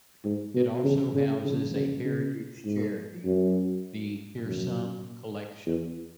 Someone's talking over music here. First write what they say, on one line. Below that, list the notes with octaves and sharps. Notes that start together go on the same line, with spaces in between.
It also houses a heritage charity, The Hearsum Collection.
G#2
B2
C#3
C#3
C#3
C#3
C#3
G#2
F#2
F#2
E2